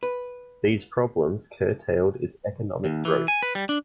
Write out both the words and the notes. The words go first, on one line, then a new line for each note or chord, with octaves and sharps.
These problems curtailed its economic growth.
B4
D#2
E3
G#5
B4
G3
D4